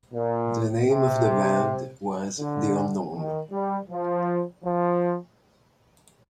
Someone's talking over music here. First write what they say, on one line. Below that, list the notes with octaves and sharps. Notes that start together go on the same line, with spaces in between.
The name of the band was The Unknowns.
A#2
C3
D3
D#3
G3
F3
F3